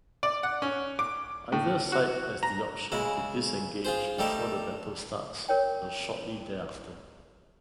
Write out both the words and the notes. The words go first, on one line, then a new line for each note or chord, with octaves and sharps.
Either side has the option to disengage before the battle starts or shortly thereafter.
D5
F#5
C#4
D6
A2
F#4
A#5
C#3 G#3 E4
F4 G#4 C5
G3 A3 D#4 G4 E5
A#4 C#5 G5